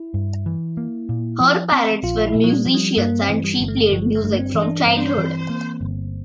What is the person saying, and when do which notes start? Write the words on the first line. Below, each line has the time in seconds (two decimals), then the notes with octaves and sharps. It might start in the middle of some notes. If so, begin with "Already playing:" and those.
Her parents were musicians, and she played music from childhood.
Already playing: E4
0.14 G2
0.46 E3
0.77 A#3
1.09 A#2
1.40 F3
1.72 C4
2.03 A#1 F4
2.26 E4
2.35 A#2
2.44 F3
2.50 G3
2.66 F3
2.74 G3
2.97 G2 A#3
3.21 C4
3.29 E3
3.44 G3
3.60 G1
3.68 A3
3.92 G1 F3
4.15 A3
4.24 G2
4.33 A#3
4.38 C4
4.55 E3
4.62 D4
4.86 G2 C4
4.97 D4
5.09 C4
5.18 E3
5.49 A#3
5.81 G1